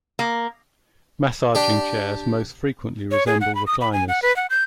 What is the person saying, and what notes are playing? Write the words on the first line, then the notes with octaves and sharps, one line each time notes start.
Massaging chairs most frequently resemble recliners.
A#3
D4 G4
C#5
G#4
F#5
B5
D#6
B5
G#5
F#5
B4
F#5
G6